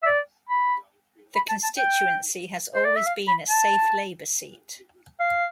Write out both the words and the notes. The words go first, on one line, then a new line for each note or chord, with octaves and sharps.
The constituency has always been a safe Labour seat.
E5
D5
B5
B5
A5
A5
G5
C5
D5
E5
F5
B5
A5
F5